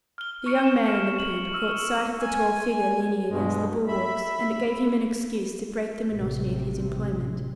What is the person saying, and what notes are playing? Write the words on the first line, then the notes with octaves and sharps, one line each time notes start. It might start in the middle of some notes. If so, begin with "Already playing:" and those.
The young man on the poop caught sight of the tall figure leaning against the bulwarks, and it gave him an excuse to break the monotony of his employment.
F6 G7
C#6 F6 C#7 D7
E7
F6
F#7
C#6 E6 F6
G#5
G2 B2 G#3
E5 B5
A1 A2 C3